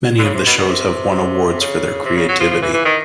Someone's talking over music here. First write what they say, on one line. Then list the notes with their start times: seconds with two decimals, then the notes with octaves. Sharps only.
Many of the shows have won awards for their creativity.
0.18 D3
0.23 C#3
0.34 C3
0.46 B2
0.58 B2
0.69 C3
1.61 C#3
2.05 C3
2.16 C#3
2.29 F#3
2.40 F3
2.51 F3
2.62 E3
2.73 E3
2.85 D#3